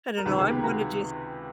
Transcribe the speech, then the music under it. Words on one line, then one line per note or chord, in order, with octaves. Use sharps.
I don't know, I'm one to just
A#4
C#2 C3 D#3 B4
G#4
G4
F#4